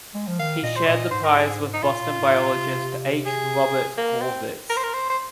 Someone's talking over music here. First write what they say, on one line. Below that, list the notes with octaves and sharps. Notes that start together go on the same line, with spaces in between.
He shared the prize with Boston biologist H. Robert Horvitz.
G#3
F3
D#3 F5
A#2 D#5
C5
A#2 D#5
G#2 C5
A#4
G#4
D#4
A#2 F4
A#2
G#2
A#2
C3
G#4
A#3
C4
A#4
C5
A#4
C5
C5